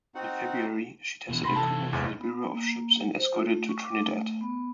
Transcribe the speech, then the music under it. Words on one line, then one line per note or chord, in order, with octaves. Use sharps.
In February, she tested equipment for the Bureau of Ships and escorted to Trinidad.
C4 D#4 F#4 F#5
B2 E3
C3 B3 B5 C6 A#6
C3 E3 A4 A5
B1 E2 G#2
B3
A#3
G4
C5
F4
A3
C#6
D6
A3
B3